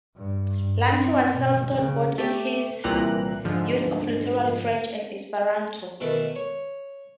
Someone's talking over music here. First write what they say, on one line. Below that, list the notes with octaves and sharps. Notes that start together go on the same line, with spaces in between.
Lanti was self-taught both in his use of literary French and Esperanto.
G2
G2
C4
B2
C#3
A3 G4
C2 A#2 E3 G4 A#5 F#6
G#2 D3 F3
B2 D#3 E3 A3
C#5